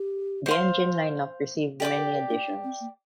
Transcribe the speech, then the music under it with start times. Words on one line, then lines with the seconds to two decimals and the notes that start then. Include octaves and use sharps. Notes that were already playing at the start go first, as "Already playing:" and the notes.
The engine lineup received many additions.
Already playing: G4
0.46 C5 F5 C6
1.80 G4 A4 D5 G5 D6
1.97 A#4
2.14 A#4
2.30 D4
2.48 D4
2.64 C4
2.80 A#3